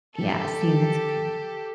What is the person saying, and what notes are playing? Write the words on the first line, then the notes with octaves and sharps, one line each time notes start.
Yeah, see? And that's great.
G4 A4